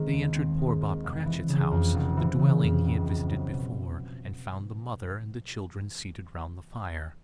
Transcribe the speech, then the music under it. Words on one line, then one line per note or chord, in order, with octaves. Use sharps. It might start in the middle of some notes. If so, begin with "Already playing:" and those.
They entered poor Bob Cratchit's house; the dwelling he had visited before; and found the mother and the children seated round the fire.
Already playing: D#3 G#3 C4
D#2
C4
G#3
D#3
F1
E3
C#3
F2
F1
E3
C#3
F2
C#2
B3
F#3
B2